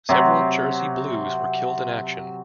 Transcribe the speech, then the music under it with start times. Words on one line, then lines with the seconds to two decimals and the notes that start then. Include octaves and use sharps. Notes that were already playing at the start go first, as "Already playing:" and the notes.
Several Jersey Blues were killed in action.
0.09 C3 F#3